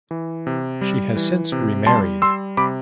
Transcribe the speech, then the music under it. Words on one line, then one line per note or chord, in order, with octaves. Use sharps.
She has since remarried.
E3
C3
G3
E3
C3
G3 A5 C6
G3 C6 E6
C3 B5 D6